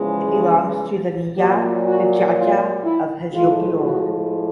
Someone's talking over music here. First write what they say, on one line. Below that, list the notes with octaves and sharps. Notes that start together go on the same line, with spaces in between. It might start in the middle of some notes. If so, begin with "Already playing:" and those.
It belongs to the nyaya panchayat of Hajipur.
Already playing: E2 C#3 F3 G#3
G#4
A#2 F#3 G4
F#4
F4
E4
A2 F3 G#3 F4
F#4